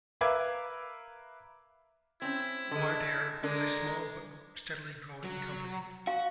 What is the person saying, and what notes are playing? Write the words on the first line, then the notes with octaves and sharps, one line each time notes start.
Wardair was a small but steadily growing company.
A#4 B4 E5 F5 D6 G#6
C4 C#4 E4
D3 G#3
D3 G#3 D4 A#4
F#3
F#4 F5